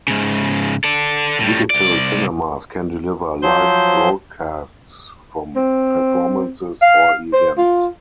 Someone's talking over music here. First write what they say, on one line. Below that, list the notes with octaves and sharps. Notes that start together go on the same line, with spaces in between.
Digital cinemas can deliver live broadcasts from performances or events.
G#2 C#3
A4 D5
A2 G3
C2 D5
F3 F#3 C5 G6
C4
F5
C5
F4